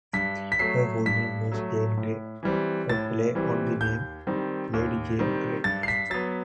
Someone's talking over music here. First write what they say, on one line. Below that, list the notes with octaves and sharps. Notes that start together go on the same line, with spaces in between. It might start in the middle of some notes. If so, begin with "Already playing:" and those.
Her full name was Jane Gay, a play on the name Lady Jane Grey.
G2 B6
B6
F#3 A3 C7
G2 B6
F#3 A3
A2
E3 G3 C4
A2 A6
E3 G3 C4
D#2 G6
D#3 G3 C4
D#2
D#3 G3 C4
G2 A6
C7
B6
F#3 B3 A6